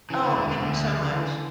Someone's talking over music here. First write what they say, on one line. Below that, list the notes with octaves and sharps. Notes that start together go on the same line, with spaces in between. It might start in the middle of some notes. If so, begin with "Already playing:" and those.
Oh, thank you so much.
C#3 E3
D3
E1 D3
D3
D2
C#3
E3